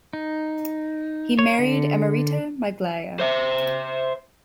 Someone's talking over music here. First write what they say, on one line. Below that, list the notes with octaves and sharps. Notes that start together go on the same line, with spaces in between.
He married Emerita Maglaya.
D#4
C#5
D3
C5 E5